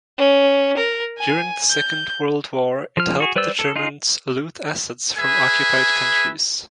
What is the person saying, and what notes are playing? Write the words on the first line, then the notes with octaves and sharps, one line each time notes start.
During the Second World War, it helped the Germans loot assets from occupied countries.
C#4
A#4
G#5
G6
F3 F6
F#4 G#4
G3 B4 C5 D5 E6
A4
D#4 F4 G#4
G#4 B4 E5 G#5